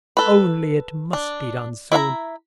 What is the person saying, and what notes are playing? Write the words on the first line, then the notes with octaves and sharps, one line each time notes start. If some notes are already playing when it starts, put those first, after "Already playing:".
Only it must be done soon.
A4 B4
D4
E4 E5 F5 A#5